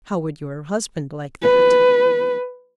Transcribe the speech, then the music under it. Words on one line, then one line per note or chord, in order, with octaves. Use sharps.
"How would your husband like that?"
B4